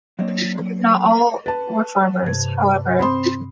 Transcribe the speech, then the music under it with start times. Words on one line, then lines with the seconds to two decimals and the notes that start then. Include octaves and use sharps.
Not all were farmers, however.
0.19 F#3 A#3 C4 D4 C#5 D#5
1.46 B4 A5 A6
2.22 G2 C3 G#6
2.99 C4 C5 B5 C6 D#6